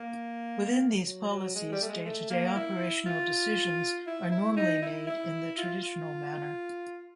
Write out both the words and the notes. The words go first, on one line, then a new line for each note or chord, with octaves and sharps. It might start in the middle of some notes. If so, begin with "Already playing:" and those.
Within these policies, day-to-day operational decisions are normally made in the traditional manner.
Already playing: A#3
F#3
F#3
G#3
G3
A3
G#3
A3
A#3
E4
F4
E4
E4
D#4
E4
E4
F4
F4